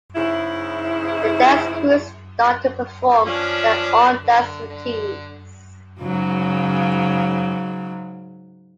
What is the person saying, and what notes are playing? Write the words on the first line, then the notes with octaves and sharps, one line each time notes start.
The Dance Crews start to perform their own dance routines.
G#2 C#3 E4
F3 C#4 D4
D3
D3
G#2 C#3 F#3